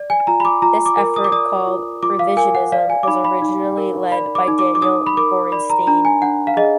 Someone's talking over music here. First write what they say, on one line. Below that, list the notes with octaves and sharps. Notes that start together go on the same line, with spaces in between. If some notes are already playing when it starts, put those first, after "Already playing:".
This effort, called "revisionism", was originally led by Daniel Gorenstein.
Already playing: D5
G#5
F4 A#5
B5
D6
F4 A#5
D6
A#4
D#6
D6
D5 D#6
F4
F4 D6
F5
A#4 G#5
F#5
D5 F5
G#5
D6
D#4 B5
B5
D#4
A#4
D5 B5
D6
D#4
D6
D6
D#4 D#6
B5
A#4 D6
D5 B5
A#5
D4 A#5
G#5
D4 F#5
F5
G#4 D#5